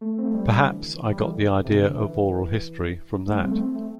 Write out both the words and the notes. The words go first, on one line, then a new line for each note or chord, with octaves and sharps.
Perhaps I got the idea of oral history from that.
A3
C4
A3
G3
D3
E3
G3
E3
D3
C3
D3
E3
A3
G3
C4
A3
C4
A3